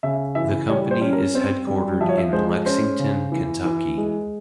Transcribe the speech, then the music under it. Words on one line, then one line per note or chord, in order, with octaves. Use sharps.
The company is headquartered in Lexington, Kentucky.
C#3 E5
E3 E5
G3 C#5
C5
C#4
A#4
C4 C5
G3
F3 E5
C#5
E5
G#3 C5
C#4 C5
C#3
E3
E3
G#3